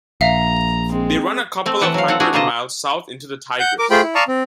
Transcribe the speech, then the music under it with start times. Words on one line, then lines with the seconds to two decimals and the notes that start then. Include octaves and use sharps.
They run a couple of hundred miles south into the Tigris.
0.21 A#1 E5 F5 A#5
0.90 G#3 C4
1.66 A3 C4
1.81 E3 F#5 G5 A5
1.94 F#3 F5
2.08 C4 A4 F#5
2.20 D4 E4 F#4 G#4
2.33 B2 D3 A#3 C5 D#5 A5
3.60 F#5 G6
3.79 A#4 D6
3.91 A3 F4 G#4 C5 G5 B5
4.02 E4
4.15 D5 F5 A5 A#5 C#6 D#6
4.28 C4